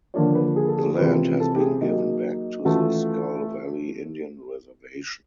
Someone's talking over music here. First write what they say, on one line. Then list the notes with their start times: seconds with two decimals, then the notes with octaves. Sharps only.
The land has been given back to the Skull Valley Indian Reservation.
0.14 D3 F3 A#3 D4 F4 C#5
0.35 B4
0.56 G#4
0.67 A4
0.78 G#4
0.98 C3 E3 G#3 C4 F4 B4
1.40 A4
1.56 G4
1.60 G#4
1.81 F#3 A#3 D#4
2.65 E3 A3 C#4 F4 F#4